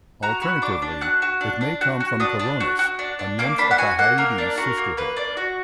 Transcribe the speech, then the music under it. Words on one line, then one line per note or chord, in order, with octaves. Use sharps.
Alternatively, it may come from Coronis, a nymph of the Hyades sisterhood.
F#4 A#5
F#4 B5
D4 D6
D4
F#4 F#6
F#4
D4
D4
F#4
F#4
D4 D#6
D4
F#4
F#4
D4
D4
A#3 D6
D4 B5
F#5
F#4 G#5
A#3 F#5
A#3 A#4
D4
F#4 A#4
A#3
A#3 B4
D4 D5
F#4